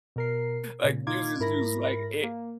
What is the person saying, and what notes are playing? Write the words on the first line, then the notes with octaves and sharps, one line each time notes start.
Like, news is news, like, it
B2 A#4 C7
A#2 C#3
A#2 D#4 F4 D6 G#6
G#2 E4 A#4 B5 A#6
A#3